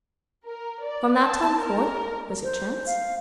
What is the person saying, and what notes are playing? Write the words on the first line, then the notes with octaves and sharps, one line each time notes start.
From that time forth, was it chance?
A#4
D5
A5
A#4
C5
F5